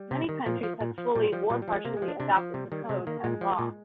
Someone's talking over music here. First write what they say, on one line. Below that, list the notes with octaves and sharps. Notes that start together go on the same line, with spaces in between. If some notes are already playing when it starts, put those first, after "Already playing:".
Many countries have fully or partially adopted the Code as law.
Already playing: G3
C3
D#3
A#2 F3
F3
A#2
F3
A#2 G3
F3 G3
A#2 G3
G3
F3
G#3
C3 A#3
G#3
F3
D4
C3 D4
F3
C3 G3
D#3 G3
C3 G#3
D#3 A#3
A#2 G#3
F3
A#2